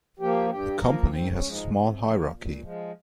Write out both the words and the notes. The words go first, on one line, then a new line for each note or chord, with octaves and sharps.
The company has a small hierarchy.
F3 A#3 G4
G2 G4
F3 A#3 A#4
G#2 C4
C#4
F3 G#3
D#4
C3
F3 A#3
A#2
F3 G#3